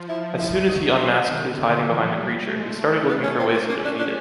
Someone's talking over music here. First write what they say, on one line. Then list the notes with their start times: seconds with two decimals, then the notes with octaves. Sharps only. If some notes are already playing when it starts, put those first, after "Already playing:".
As soon as he unmasked who’s hiding behind the creature, he started looking for way to defeat it...
Already playing: F3
0.09 E4
0.38 E4
0.68 F#3 D#4
0.89 F#3 D4
1.09 C#4
1.28 D#3 G#3
1.49 D3
1.59 A3
1.69 D3
1.89 E3
2.04 F#3
2.19 G3
2.49 A3
2.59 G#3
2.69 A3
3.09 B3
3.24 C#4
3.40 C4
3.54 A#3
3.69 A#3 C#4
3.85 D4
4.00 D4